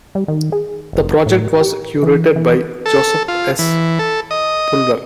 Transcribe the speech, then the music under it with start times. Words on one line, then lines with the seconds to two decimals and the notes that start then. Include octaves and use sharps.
The project was curated by Joseph S. Pulver.
0.15 G3
0.28 D#3
0.52 G#4
0.93 F1
1.26 A2
1.61 G4
2.03 E3
2.36 E3
2.86 A4
3.28 F4
3.59 E3
3.99 A4
4.31 D#5